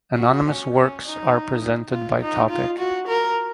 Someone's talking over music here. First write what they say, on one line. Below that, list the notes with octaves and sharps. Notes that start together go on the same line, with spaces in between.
Anonymous works are presented by topic.
F#4
C#4
C#4
D#4
F4
D#4
F4
F#4
A#4